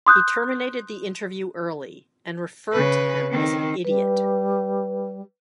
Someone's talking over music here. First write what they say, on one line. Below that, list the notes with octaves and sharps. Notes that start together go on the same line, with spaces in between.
He terminated the interview early and referred to him as an idiot.
C6 D#6 F#6 G6
C#3 B4
D#3 C4
G3 B4